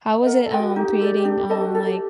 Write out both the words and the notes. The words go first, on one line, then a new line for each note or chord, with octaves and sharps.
How was it, um, creating, um, like,
D#5
A#4 F#5
A4
D#5 G5
F#4
D#4 G4
A4 D5
D4
A4 D#5 A5
F#4
G4 A4